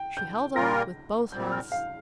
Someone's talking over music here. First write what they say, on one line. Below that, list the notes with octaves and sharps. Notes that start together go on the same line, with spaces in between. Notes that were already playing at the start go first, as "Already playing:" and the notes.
She held on with both hands.
Already playing: G5
G6
A#2 G3 A#3 F4 A#4 A#6
A#2 G3 C4 G6
F6
F5